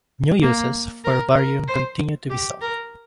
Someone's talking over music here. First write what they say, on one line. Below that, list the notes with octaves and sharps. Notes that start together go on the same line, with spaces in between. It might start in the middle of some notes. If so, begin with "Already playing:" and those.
New uses for barium continue to be sought.
A#3
A#4
A#4
C5
G4
A#4